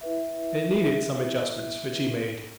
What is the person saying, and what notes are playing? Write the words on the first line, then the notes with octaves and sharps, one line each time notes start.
It needed some adjustments, which he made.
E4 B4 E5